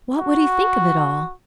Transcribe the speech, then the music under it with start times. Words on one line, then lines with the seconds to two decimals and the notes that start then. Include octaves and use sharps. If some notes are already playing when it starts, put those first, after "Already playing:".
What would he think of it all!
0.19 F#4